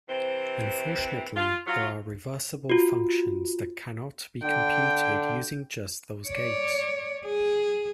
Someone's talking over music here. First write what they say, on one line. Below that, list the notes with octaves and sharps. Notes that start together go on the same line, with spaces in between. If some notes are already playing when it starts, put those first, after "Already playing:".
Unfortunately, there are reversible functions that cannot be computed using just those gates.
C3 E3 C4 C5
F4
F#3 F4
F4 F#4
D3 G5
C#5 D5
G#4